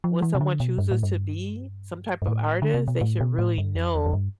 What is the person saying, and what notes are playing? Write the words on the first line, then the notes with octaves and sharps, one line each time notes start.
when someone chooses to be some type of artist, they should really know
F3
E3
C3
D3
B2
G2
A2
G2
G2
A2
D3
C3
B2
A2
B2
A2
G2
F2
E2
F2
G2